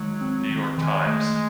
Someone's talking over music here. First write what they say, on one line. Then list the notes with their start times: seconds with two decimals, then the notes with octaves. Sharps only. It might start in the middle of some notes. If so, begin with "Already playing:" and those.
New York Times.
Already playing: D#3 F#3 G#3
0.21 C4
0.49 D#3
0.78 D#3 G#3
1.06 A3